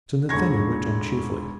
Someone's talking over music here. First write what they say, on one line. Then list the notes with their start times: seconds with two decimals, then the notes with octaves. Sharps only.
Sir Nathaniel went on cheerfully.
0.29 E1 D3 C#6 G#6 A#6